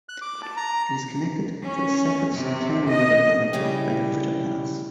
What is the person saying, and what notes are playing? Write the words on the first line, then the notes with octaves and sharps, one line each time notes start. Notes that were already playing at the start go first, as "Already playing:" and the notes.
It is connected to the separate Santerno river valley by the Futa Pass.
F#6
D6
A5
A#5
C#4
C3
D#5
C#3 G3 C#4 E4 G4